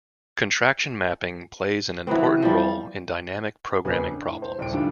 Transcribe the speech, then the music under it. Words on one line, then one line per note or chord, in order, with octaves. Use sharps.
Contraction mapping plays an important role in dynamic programming problems.
E3 F#3 B3 C4
F3 G3
E1 F2 C#3 A#3 B4 G#5
D4
A2
C5
D#1 C2 D5 G5 D7
G#2 D3 D#3 G3 D4 F4